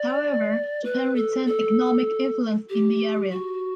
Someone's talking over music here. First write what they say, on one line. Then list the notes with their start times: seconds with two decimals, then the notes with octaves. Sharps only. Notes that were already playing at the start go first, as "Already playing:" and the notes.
However, Japan retained economic influence in the area.
Already playing: D5
0.84 B4
1.16 A4
1.46 A4
2.70 G4
3.31 F#4